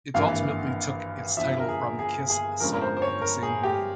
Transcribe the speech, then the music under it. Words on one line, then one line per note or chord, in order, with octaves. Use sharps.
It ultimately took its title from the Kiss song of the same name.
G#1 G2 E3 A#3 F5
G1 G2 F3 E5
A#4
G#4
G#4
G#4
G1 G2 F3 G#3 C#4 A#4
A#4
C5
C5
C#5
A#4
G#4
G4